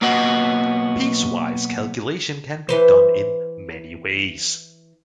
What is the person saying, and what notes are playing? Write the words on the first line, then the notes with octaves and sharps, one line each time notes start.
Piece-wise calculation can be done in many ways.
B1 A#3 B3 F#4 D#5 F#5
E3 B4 C5